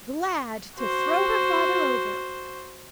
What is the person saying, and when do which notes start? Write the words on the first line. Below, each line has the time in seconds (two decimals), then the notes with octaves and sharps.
Glad to throw her father over!
0.78 F#4 C5